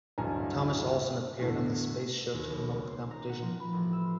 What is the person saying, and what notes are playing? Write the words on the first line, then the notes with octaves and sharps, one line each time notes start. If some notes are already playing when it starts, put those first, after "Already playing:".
Thomas Olson appeared on The Space Show to promote the competition.
D1 A1 G2 G#5 A#5
E2 A2 D3
D#2
B1
C#2
C5
A#5
F#5
F3
B5
A1
E6
F4